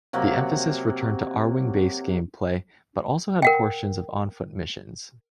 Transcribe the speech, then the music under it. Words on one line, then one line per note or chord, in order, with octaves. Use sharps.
The emphasis returned to Arwing-based gameplay, but also had portions of on-foot missions.
C3 F#3 A#3 F#4
A#4 F#5 G5